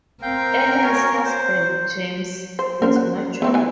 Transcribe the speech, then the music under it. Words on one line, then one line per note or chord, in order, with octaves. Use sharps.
Ellen's husband, James, has no job.
C4 A#4 F5 G5 G6
F#4 C#5 G#5
C5
C5
A#3 C#4 F#4 A#4 C5
F#5
A3 B3 C4 D#4
E3 G#5